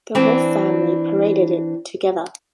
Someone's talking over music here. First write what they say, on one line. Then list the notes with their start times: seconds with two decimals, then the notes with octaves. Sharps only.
The whole family paraded it together.
0.15 E3 C4 D4